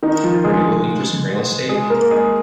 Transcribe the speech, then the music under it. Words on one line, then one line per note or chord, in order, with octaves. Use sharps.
Are you looking for some real estate.
D#3 D#4
F3 F4
G#3 G#4
G#3 G#4
A#3 A#4
G#3 G#4